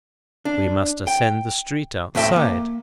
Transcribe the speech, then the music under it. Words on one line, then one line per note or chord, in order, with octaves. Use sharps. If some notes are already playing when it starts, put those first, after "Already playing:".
We must ascend the street outside.
D4
G5
D2 A2 B3 E5 G5 A5
A#3